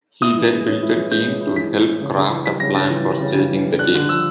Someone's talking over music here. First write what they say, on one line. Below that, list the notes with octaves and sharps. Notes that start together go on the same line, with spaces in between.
He then built a team to help craft a plan for staging the Games.
E4 D#6
E3
G#3
C#4
E4
E3
G#3 G6
C#4
E4
E3 B6
G#3
C#4
C#3
C#3
E3
G3 B6
C#3 A#6
C#3 A6
E3
G3
C#3
C#3
E3
G3
D4 F#6
D3 F#6
F3 E6